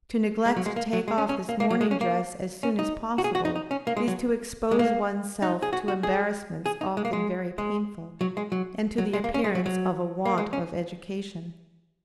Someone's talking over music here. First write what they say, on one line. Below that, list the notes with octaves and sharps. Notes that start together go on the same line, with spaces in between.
To neglect to take off this morning dress as soon as possible, is to expose one's self to embarrassments often very painful, and to the appearance of a want of education.
G#3
F#3
G#3
A#3
F#3
G#3
C#4
C#4
A#3
A#3
F#3
G#3
C#4
A#3
C#4
D#4
F#4
G#4
F#4
D#4
D#4
C#4
A#3
G#3
F#3
G#3
A#3
D#4
G#4
F#4
F#4
G#4
G#4
D#4
G#3
A#3
G#3
G#3
F#3
G#3
F#3
F#3
G#3
A#3
C#4
G#3
F#3
F#3
A#3
G#3
C#4